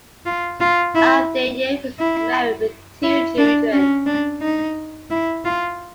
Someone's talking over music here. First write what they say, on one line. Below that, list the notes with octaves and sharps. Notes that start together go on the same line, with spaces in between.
Avdeyev is married with two children.
F4
F4
E4
E4
E4
D4
C#4
D4
D#4
E4
F4